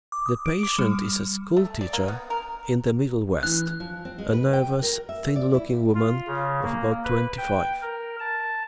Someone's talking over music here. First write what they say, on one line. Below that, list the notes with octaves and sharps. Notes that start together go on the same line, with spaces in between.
The patient is a school-teacher in the Middle West, a nervous, thin-looking woman of about twenty-five.
D6
D#6
D7
D6
G3
A3
D5
A#3
B3
A#4
E3 F#6
F3
C4
G#3
B4
G5
A#4
E5
D5
E4
F4
C#3
A#3
B4
G5
A#4
A5